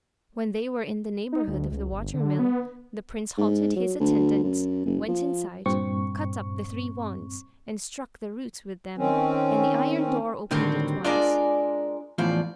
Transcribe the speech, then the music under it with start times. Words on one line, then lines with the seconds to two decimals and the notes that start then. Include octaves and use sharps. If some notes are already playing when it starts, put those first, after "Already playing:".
When they were in the neighbourhood of the water-mill, the prince halted his attendants, went inside, cut up the three wands, and struck the root with them, and the iron door opened at once.
1.33 D#4
1.48 D2
1.71 C#2
1.91 G1
2.14 D3
2.39 B3
3.38 G#2
3.76 F#3
4.00 D2
4.44 F#2
4.86 F#1
5.08 F3
5.66 G2 A#2 C4 C#6
8.98 D#3 C4 C#4
10.51 A2 D3 D#3 F#3 G3 C4
11.04 G#3 D4 F4 A#4 D5
12.18 E2 A2 F3 F4 D5